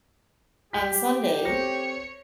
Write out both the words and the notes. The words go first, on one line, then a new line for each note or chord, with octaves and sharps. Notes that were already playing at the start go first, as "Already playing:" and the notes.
on Sunday
G4 G6 B6
C4 A4 C#5 A#6 C#7